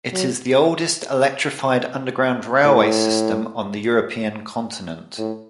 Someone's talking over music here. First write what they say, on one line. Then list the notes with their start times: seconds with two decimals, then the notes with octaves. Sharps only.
It is the oldest electrified underground railway system on the European continent.
0.13 F#3
2.65 A2
5.18 A2